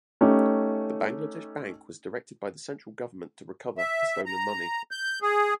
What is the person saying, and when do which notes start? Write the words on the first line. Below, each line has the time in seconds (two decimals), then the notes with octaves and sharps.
The Bangladesh Bank was directed by the central government to recover the stolen money.
0.21 A3 C#4 D#4 G4
3.78 E5
4.26 A#5
4.91 G6
5.22 G#4